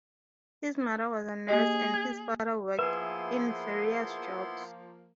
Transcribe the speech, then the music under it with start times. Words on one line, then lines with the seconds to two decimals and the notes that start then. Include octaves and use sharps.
His mother was a nurse and his father worked in various jobs.
1.48 A#3 G4 G#4 D#5
1.94 G#6
2.79 F3 A#3 B3 E4 G#4 B4 E5 C6